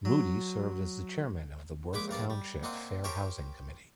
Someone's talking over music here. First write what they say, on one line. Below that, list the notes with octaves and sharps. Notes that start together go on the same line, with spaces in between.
Moody served as the chairman of the Worth Township Fair Housing Committee.
F#3
A#1 G#3 G#5 B5 D6
A#1 G2 A#4 D5
G3
A#2 A#3 C4 D#5 F#5 D#6
G4 A#4 C5 C#5 G5